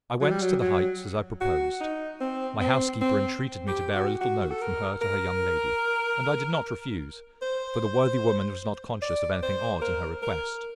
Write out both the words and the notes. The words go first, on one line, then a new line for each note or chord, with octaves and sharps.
I went to the Heights as I proposed: my housekeeper entreated me to bear a little note from her to her young lady, and I did not refuse, for the worthy woman was not conscious of anything odd in her request.
F#3
G3
F#3
F#3
F#4
D#4
C4
C4
C4
G4
F#4
F#4
A4
A#4
A#4
C5
D5
C5
A#4
A#4